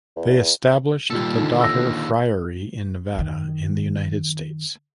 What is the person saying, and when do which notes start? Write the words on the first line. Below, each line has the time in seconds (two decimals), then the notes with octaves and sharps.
They established the daughter friary in Nevada in the United States.
0.16 E2
1.10 D#2 A#2 G3 A4
1.37 A#2 D3 D#4
1.61 E6 A#6
3.15 F#2 D#3